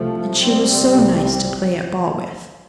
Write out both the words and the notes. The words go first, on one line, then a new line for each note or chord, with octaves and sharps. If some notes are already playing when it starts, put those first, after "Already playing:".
And she was so nice to play at ball with!
Already playing: C2 C3 F3 A3
D2 C3 G3 C4
C2 C3